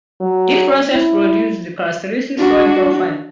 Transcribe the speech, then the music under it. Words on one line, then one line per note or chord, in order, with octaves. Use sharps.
These processes produce the characteristic soil profile.
F#3
E4
D4 F#4